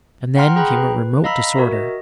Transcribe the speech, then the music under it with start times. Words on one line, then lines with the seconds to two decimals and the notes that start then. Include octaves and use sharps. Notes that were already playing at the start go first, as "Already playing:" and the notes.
And then came a remote disorder.
0.36 F#5 G5 A#5 C6 F6
0.56 G#4 G5 A#5 B5 F#6
0.77 B4
1.24 D#5 F5 A#5 B5 E6 B6
1.56 F#4 A#4 E5
1.73 D#5